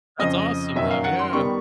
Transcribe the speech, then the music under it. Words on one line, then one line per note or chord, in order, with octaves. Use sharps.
That's awesome, though. Yeah.
F2 C#3 F3 D#5
F#2 D#3 F#3 E5
F5
F#5
C6
D#3 G3 B3 C#6